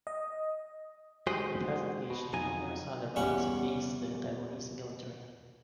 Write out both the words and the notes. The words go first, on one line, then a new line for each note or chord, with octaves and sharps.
It has engaged in numerous other battles against the Taiwanese military.
D#5
G#3 F#4 G4 C5 D#5
B2
F2 F#3 D#4 D#5 G#5
E2 G3 C#4 F#5 C#6